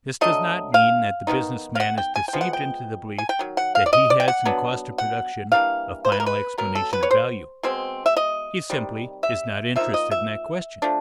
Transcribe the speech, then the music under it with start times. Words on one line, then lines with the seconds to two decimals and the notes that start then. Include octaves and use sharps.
This does not mean that the business man is deceived into the belief that he has in cost of production a final explanation of value. He simply is not interested in that question.
0.21 F#3 A3 D4 D#5
0.74 F5
1.27 D#3 G#3 B3 D#4
1.75 F5
1.80 F#5
1.98 G5
2.16 G#5
2.28 G5
2.33 F3 G#3 B3
2.41 F#5
2.53 G5
3.18 G#5
3.29 G5
3.39 D#3 F#3
3.57 F#5
3.75 F5
3.86 D5
3.93 D#5
4.10 D5
4.20 G5
4.28 F#5
4.45 F#3 B3 D4
4.98 F#5
5.52 E3 G3 A#3 D4 F5
6.05 C5
6.12 B4
6.20 A#4
6.26 B4
6.58 B2 F#3 B3 A#4
6.75 A4
6.93 B4
7.03 C#5
7.11 C5
7.63 B2 G#3 C4
8.06 E5
8.17 D#5
8.70 C3 D#3 G3
9.23 E5
9.76 F3 A#3 D#4 E5
9.94 D#5
10.11 E5
10.82 F3 A3 D4